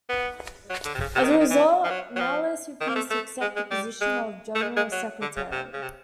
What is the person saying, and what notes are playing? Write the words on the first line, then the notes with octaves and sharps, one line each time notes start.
As a result, Nahles refused to accept the position of general secretary.
B3
F#3
D3
C3
C#3
C3
D#3
D3
D#3
E3
F3
F#3
F#3
F3
D#3
A#3
A3
A3
G#3
G#3
G3
G#3
A3
G#3
G#3
F#3
D3
C#3
C3
C#3
C3